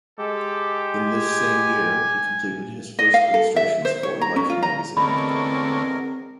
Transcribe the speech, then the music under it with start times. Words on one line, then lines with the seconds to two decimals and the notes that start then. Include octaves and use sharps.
In this same year, he completed his first illustrations for "Life" magazine.
0.19 G#3 G4 A4
1.00 G#5
2.99 D#5
3.14 F5
3.34 A4
3.56 E5
3.85 C5
4.03 C#5
4.21 A#5
4.36 C#4
4.50 F4
4.63 A#5
4.97 E2 D3 G#3 A3 C4 C#4 A#4 B5